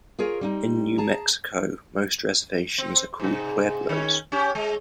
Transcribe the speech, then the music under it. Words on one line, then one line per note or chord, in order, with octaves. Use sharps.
In New Mexico, most reservations are called Pueblos.
F4 G#4 A#4 C#5
G3 C4 D#4
G#4 A5 A#5
C4
G#2 C3
D#3 C#4
C#4 G4
G#3